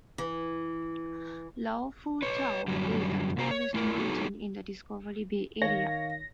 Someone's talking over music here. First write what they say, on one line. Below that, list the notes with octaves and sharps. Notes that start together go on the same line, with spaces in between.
Lo Fu Tau is the tallest mountain in the Discovery Bay area.
E3
B4 C#5
F#2 D3 F#3 G3
C3 F#4 C5 A#5
C#5
A3 E4 A#4
F#3 B3 D#4 F#4 G#4 A4
D#3 C#5 F5 A#6